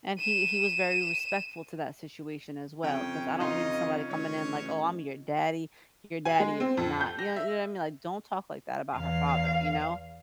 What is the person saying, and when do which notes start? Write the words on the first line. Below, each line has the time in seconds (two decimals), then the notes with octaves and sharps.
and he he was very respectful to that situation as well, 'cause I don't need somebody coming in like, "Oh, I'm your daddy, your daddy is not" you know you know what I mean, like "Don't talk like that about her father," you know.
0.19 D#7 E7
2.83 F2 C#3 C#4 G5
3.40 D#4 F4 D#5
4.10 A1 C#5
6.25 G#5
6.40 G#3
6.60 C4
6.77 F2
7.01 G6
7.19 A#6
7.36 E5
8.96 E2 F5